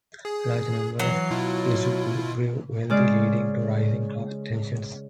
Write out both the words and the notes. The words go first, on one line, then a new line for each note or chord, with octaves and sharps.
Large numbers of Isubu grew wealthy, leading to rising class tensions.
G#4
E3 F#3 C7
B2 E4 F4
C#3 G#3 D5 F6